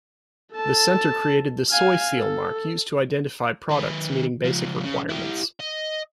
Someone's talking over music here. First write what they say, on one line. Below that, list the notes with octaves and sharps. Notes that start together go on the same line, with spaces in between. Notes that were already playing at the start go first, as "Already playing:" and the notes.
The center created the SoySeal mark used to identify products meeting basic requirements.
A4 A5
F5 G#5
A4
D#3 B4
C#2 F3
C#3
E4 G4
D#5